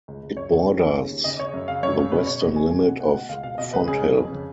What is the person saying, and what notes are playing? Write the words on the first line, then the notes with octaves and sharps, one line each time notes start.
It borders the western limit of Fonthill.
C#2
C#2
F#2 C#5
C#3
F#2
C#3
C#3
D#2
C#3 D#5
C#3 C#5
F#2
C#3 F5
F#2 C#5
C#3
B2 B4
B2 C#5
B2 D#5
B2 G#5
C#2 G#5
B2 F#5
B2 F#5
B2 F#5
C#2 F5
B2 F5
B2 D#5
C#2 B4
C#3 G#4
F2
F2
C#3